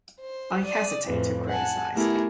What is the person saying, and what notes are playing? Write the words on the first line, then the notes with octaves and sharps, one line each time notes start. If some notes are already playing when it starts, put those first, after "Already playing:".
I hesitate to criticise.
C5
D5 D#6
F2 A2 E3
F#5 G#5 A5
A3 B3 E4 G4 G#4 A#4